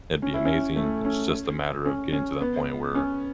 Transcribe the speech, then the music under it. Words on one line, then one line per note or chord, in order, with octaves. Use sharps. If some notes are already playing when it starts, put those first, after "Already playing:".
it'd be amazing. It's just a matter of getting to that point where
C#4
E4
C#4
A3
C#4
C#4
C#4
B3
C#4